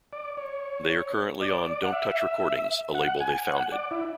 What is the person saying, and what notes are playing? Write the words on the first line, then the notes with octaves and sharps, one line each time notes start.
They are currently on Don't Touch Recordings, a label they founded.
D5
C#5
D5
D5
F#5
E5
F#5
G#5
F#5
D5
E4